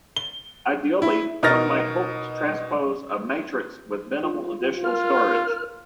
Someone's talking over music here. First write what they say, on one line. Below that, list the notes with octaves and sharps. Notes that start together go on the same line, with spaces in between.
Ideally, one might hope to transpose a matrix with minimal additional storage.
G7
E4
B2 D#4 A#4 F6 A6 A#6
F4
F4 A#4 F6